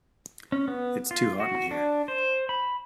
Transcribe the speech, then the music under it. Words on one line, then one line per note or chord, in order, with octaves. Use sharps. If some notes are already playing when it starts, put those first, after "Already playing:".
It's too hot in here.
C#4
B3
F4
F#4
D4
C5
B5